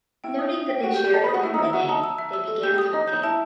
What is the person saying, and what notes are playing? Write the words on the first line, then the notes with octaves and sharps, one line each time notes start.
Noting that they shared a family name, they began talking.
E4 G5
D#6
D#6
G5
F#4 G5
G4
G6
G4
A4 D#5
B4
D#6
F#4
E4 E5
D#4
E4 E6
F#4 E5
D#4 A5
E6
E5
E6
A4
G4 G6
G4
D#6
D#4 D#5
G6
D#4
E4 A5